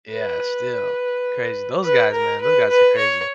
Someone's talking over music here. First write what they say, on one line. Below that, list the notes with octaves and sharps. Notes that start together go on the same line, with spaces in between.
yeah, still crazy, those guys, man, those guys are crazy.
B4
B4
A#4
B4
B4
C#5